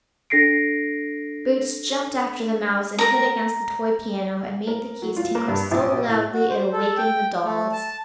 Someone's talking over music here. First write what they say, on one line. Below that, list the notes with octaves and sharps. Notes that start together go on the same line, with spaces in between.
Boots jumped after the mouse, and hit against the toy piano and made the keys tinkle so loudly it awakened the dolls.
D4 A4 A#6 C7 D7
A#4 A#5
A#4
F#3
F4
A#3
G2
A#1
A2
F#4
C5
A4
G5
A3
A5